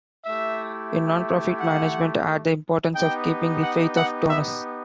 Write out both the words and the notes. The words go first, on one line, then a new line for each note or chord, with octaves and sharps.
In nonprofit management, add the importance of keeping the faith of donors.
A3 E4 G4 E5
F#5
B3 D#4 G4 G5
F#5
F#5
E5